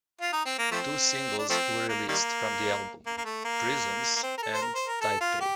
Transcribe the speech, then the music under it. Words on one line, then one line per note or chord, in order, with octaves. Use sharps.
Two singles were released from the album, "Prisms" and "Taipei".
F4
D#4
C4
A#3
F3 A3 C4
D4
F3 A3 C4
A#3
D#3 G3 A#3
A#3
A#3
A3
A#3
A#3
C4
A#4
A4
C5
A#4
C5
A#4
A4
F4
G4